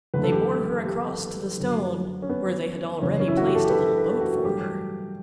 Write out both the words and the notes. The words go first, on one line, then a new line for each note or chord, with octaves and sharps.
They bore her across to the stone where they had already placed a little boat for her.
F#1 E2 D3 A3 B4
A4
G4
G4
F#2 D3 F#3
C#4
B3
F#1 E2 C#3 C#4
C#4
E4
F#4
G4
A4
G4
B4
A4
A4
B4
A4
F#4
F#4
A1 G2 F#3 A3 G4